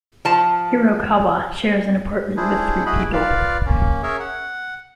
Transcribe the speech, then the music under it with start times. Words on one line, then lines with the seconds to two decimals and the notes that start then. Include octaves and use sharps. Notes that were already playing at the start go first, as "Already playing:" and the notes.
Hirokawa shares an apartment with three people.
0.25 F3 A5
2.37 D4 E4 G#4 C5
2.86 E4 F#4 G#4 D#5 B5
3.13 F4 B4 D5 F5
3.66 A#3 C#4
4.03 C#4 G#4 A#4 C#5 E5
4.20 F#5